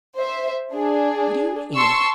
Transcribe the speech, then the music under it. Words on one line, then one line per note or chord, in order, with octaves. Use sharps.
"What do you mean?"
C5 E5
D4 G#4
A5 C6 C#6 E6